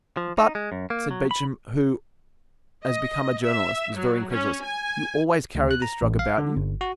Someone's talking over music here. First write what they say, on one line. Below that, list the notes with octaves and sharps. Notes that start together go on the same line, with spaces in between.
"But," said Beauchamp, who, as became a journalist, was very incredulous, "you always carry this drug about you?"
F3
D#4
G#3
F#2
A#3
F#3
B5
D#5
E5
F#3
C#4
G#5
D2
F#6
A#5
A1
F5
D3
G1
F#4